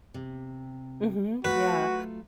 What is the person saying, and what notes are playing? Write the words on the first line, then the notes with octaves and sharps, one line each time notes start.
Mhm. Yeah.
C3
F#3 A3 F4 F#4 B4